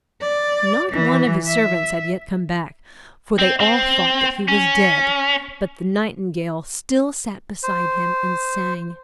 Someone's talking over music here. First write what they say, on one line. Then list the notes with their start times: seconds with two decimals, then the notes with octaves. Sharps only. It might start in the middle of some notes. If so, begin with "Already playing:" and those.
Not one of his servants had yet come back, for they all thought that he was dead; but the Nightingale still sat beside him and sang.
0.21 D5
0.92 E3
1.47 E5
3.39 C4
3.60 C4
4.48 C#4
7.63 C5